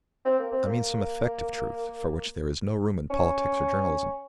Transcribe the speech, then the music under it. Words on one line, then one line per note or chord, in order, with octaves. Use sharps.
I mean some effective truth, for which there is no room in politics or journalism.
C4
A#3
C4
A#3
C#4